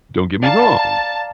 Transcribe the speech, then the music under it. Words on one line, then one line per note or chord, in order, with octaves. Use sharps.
don't get me wrong,
D5 F5 A5 A#5